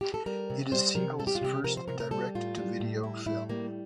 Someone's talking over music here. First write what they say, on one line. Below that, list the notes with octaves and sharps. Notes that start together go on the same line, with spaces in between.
It is Seagal's first direct-to-video film.
G4
A4
G3 A#4
C3
G3 C5
C3 A#4
G3 A4
G4
F4
C3 G4
F3 A#4
C5
C3 A#4
A#4
G3 A4
A2 F4
G3
A2
G3 E4
A2 E4
G3 A#3